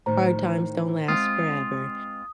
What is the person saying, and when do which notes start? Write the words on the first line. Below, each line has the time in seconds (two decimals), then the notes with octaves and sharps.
"Hard times don't last forever,"
0.06 A2 D#3 C5 A#5
1.08 G#3 C4 F4 F#5 D#6